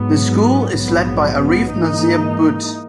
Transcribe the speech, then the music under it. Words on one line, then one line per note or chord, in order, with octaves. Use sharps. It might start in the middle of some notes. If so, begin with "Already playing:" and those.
The school is led by Arif Nazir Butt.
Already playing: G#2 F#3 B3
A#1 G#2 F#3 B3
G#2 E3 A#3 D#4